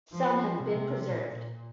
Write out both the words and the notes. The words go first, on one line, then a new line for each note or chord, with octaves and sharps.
Some have been preserved.
F3
C3
A#2